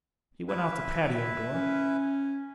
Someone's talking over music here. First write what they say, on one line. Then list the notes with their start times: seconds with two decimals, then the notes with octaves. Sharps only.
He went out the patio door.
0.48 E4 B4 E5
1.53 C#4